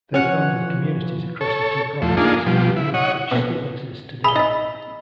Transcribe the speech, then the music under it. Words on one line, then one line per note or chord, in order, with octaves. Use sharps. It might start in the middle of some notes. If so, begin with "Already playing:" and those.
They founded communities across the two provinces, many of which still exist today.
E3 F3 C#4 C#5 F#5
A4 C#5
E2 F3 A3
A#3 D4 D#4 F4 G#4
B2 F3 G3
E4
C#5 D#5 F#5
D2 B2
G#4 E5 B5 G7
D#4 D#5 E5